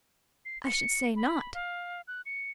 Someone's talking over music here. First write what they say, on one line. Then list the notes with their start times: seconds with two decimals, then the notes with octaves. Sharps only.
I should say not!
0.45 C7
0.66 C#7
1.16 B5
1.54 F5
2.08 F#6
2.26 C#7